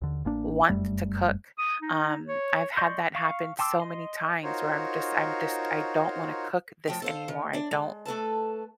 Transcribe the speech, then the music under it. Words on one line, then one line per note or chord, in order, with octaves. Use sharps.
want t to cook, um, I've had that happen so many times where I'm just I'm just I don't wanna cook this anymore, I don't
D#2 D3
A1 A#3 D4
F1 F#2 G3 A3
D#6
D#4
C#5
D5 D#5 C6 C#6 G6
F5 C#6
G5 A5 C6 D6 E6
D#5 C6
D#4 F4 F#4 A#4 C5 C#5
F3 A3 G5
A4 C5 F5
D#3
D4 D5
G#3
A3 A4 B4 A5